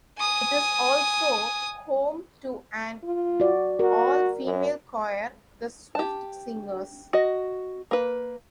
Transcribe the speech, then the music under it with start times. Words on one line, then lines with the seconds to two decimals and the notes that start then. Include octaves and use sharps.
It is also home to an all-female choir, The Swift Singers.
0.18 G#5 D#6
3.04 F4
3.40 F#4 D5
3.79 F#4 A#4
4.45 F#2
5.95 G4 A5
7.13 F#4 D#5
7.91 A#3 B4